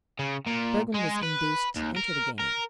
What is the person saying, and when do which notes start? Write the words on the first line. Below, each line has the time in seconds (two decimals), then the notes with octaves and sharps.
Bergmann was induced to enter the game.
0.19 C#3
0.46 A#2
0.94 G#3
1.23 B4
1.76 D#2
1.96 A#4
2.39 A#4